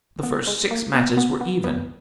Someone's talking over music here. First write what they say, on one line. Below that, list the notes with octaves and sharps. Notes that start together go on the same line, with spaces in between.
The first six matches were even.
B3
G#3
A#3
B3
B3
B3
B3